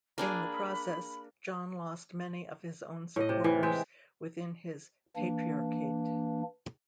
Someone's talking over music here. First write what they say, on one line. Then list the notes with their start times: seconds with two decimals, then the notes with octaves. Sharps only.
In the process, John lost many of his own supporters within his patriarchate.
0.18 A#3 D4 G#4 B5
3.16 A2 D#5
3.29 C3
3.44 E3
3.63 G#3 E5 G5
5.16 E3 A#3 D4